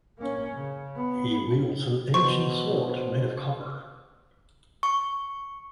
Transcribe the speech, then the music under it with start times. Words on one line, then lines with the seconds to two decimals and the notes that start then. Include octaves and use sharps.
He wields an ancient sword made of copper.
0.18 A#3 C#4
0.53 C#3
0.96 B3
2.14 B2 C5 C#6
4.83 C#6